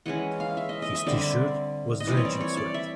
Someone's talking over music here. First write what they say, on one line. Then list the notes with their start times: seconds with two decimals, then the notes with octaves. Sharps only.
His t-shirt was drenched in sweat.
0.06 E3 G#3 C#4 F#5
0.40 F5
0.57 E5
0.69 D#5
0.82 D#5
0.95 E5
1.06 D3 G3 C4 D5
2.00 D#5
2.07 E3 G3 C4 D5
2.17 C#5
2.25 D5
2.41 C#5
2.57 D5
2.74 E5